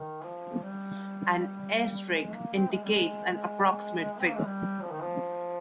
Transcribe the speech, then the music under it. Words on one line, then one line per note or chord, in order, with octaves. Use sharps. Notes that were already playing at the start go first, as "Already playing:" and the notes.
An asterisk indicates an approximate figure.
Already playing: D#3
F3
G3
G#3
A#3
C4
G#3
G3
G#3
G#3
C4
A#3
G#3
G3
F3
D#3
F3